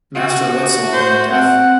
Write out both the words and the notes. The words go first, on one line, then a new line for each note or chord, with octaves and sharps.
Master Wetzel went deaf.
F#4
C5
C4 F#5